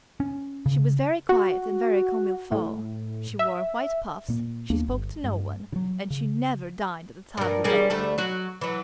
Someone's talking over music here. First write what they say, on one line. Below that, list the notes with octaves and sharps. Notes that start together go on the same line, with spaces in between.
She was very quiet and very comme il faut; she wore white puffs; she spoke to no one, and she never dined at the table d'hote.
C#4
C#3
F#4
A2
E5
A#2 A#3
D#2 A#3 B3 D4
G1
G2
C#3 F#3
C#3
G2 A#4
G3 G#4 A#4
D2 G3 A3
F#3 F#4
E3 F#3